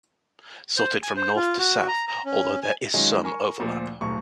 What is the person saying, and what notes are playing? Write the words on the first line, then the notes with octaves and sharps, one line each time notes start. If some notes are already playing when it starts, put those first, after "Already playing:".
Sorted from north to south, although there is some overlap.
C5
G#5
C5
F4
F#4
A#5
A#5
C#4
G#5
D#3 F#3 G#3 C#4 D#4 F4
A#4 G#5 C#6
D2 A#2 F3
D#1 B1 A2 C#6